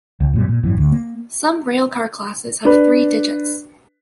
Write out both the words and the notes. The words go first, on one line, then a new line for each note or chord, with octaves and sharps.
Some railcar classes have three digits.
C#2
F#2 A#2 G3
A#2
G#1 F#2 E3
D2
A#3
D4 B4